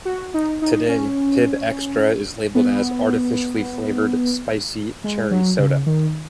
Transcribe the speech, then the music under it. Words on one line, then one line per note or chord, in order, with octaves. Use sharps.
Today Pibb Xtra is labeled as "artificially flavored spicy cherry soda".
F#4
D#4
D#4
C#4
B3
G#3
F#3
C#3
D#3